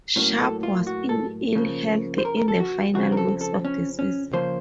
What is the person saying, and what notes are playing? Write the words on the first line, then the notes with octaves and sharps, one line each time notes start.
Sharpe was in ill health in the final weeks of the season.
A2 F#3 A#3 C#4
A4
F4
F#4
A4
C#3 F3 A#3
C5
A#4
A#4
A4
F#4
F2 C#3 F3 C4 F#4
A#4
A4
A4
C#4
C#4
C#3 F3 A#3 C5